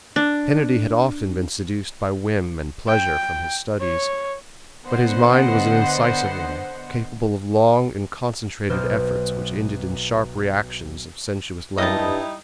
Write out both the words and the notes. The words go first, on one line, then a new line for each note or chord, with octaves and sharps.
Kennedy had often been seduced by whim and pleasure from his studies, but his mind was an incisive one, capable of long and concentrated efforts which ended in sharp reactions of sensuous languor.
D4
G5
C#5
D3 B3 C5 D#5 F#5
B1 B2 C5 F6
G2 G3 D#4 E4 D#5 A5